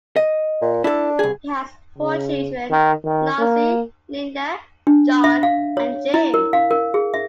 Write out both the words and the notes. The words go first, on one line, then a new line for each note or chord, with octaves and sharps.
He has four children; Nancy, Linda, John, and James.
D#5
A#2
D4 E4 A4
C2 G#4
C#3
D#3
D#3
A#3
D4
E5
F5
C#5
E4
A#4
F5
A#4
G#4
E5